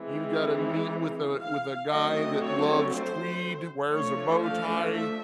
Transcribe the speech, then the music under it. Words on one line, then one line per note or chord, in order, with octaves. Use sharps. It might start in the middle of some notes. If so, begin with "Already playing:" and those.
you gotta meet with a with a guy that loves tweed, wears a bow tie,
Already playing: E3 G#3 C4
F5
D3 F#3 A3 C4 D#5
C#5
C5
F3 A3 D4 C#5
F5
E5